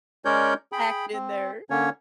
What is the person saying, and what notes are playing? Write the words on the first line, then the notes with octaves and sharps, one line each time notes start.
Packed in there.
G#3 C#4 A#4 C#5 D5 G6
G#4 G5 B5
C4
D3 A#3 C#4 C#5